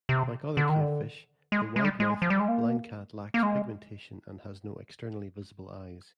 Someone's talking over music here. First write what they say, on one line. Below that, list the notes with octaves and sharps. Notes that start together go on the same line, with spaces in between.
Like other cavefish, the widemouth blindcat lacks pigmentation and has no externally visible eyes.
C3
D3
D#3
D3
G#3
G#3
G3
G#3
F3
G3
G#3
A#3
A#3
G#3